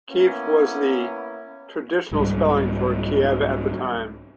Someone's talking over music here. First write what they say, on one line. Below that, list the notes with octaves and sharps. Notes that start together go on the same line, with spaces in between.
Kief was the traditional spelling for Kiev at the time.
A#3 B3 C#4 E4
C2 G#2 G3